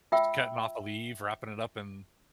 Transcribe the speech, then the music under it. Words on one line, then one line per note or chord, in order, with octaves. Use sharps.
Just cutting off a leaf, wrapping it up in
F4 E5 G5 E6